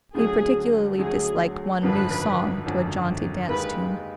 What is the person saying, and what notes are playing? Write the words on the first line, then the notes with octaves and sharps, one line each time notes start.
He particularly disliked one "new" song to a jaunty dance-tune.
D2 D3 F#3 G#4
D2 D3 F#3 G#4
G#1 F#2 D3 F3 B4
G#1 F#2 D3 F3
D#2 D#3 G#3 B4